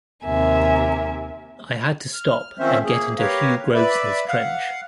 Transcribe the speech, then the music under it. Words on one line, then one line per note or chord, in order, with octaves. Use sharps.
I had to stop and get into Hugh Grosvenor's trench.
D#2 C3 A#4 E5 G#5
F6
D#3 F3 C4 C#4 C5 E5
A#3 G#4
G4 A#4 B4 C#5 F5
B4 D5 E5 B5
F5 F#5